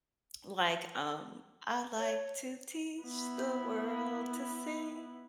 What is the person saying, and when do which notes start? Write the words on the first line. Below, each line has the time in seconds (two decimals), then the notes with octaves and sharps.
like, um, "I like to teach the world to sing
1.98 C#5
3.04 B3 E4